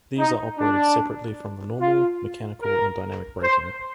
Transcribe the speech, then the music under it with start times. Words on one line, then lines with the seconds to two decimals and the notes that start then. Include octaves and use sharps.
These are operated separately from the normal mechanical and dynamic braking.
0.19 D#4
0.59 D4
1.81 F4
2.62 A#4
3.43 C5